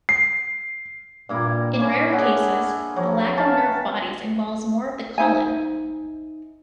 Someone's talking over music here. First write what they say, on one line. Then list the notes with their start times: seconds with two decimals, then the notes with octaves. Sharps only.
In rare cases, the lack of nerve bodies involves more of the colon.
0.09 C7
1.29 G2 A#2 A#3 E4
1.79 A#3 C#4 E4
2.13 C#4 D4 G#4 C#5 E5 F#5
2.96 F3 F#3
3.37 C#4 E5 F5 G5 A5
5.18 D#4 C5 E5 G#5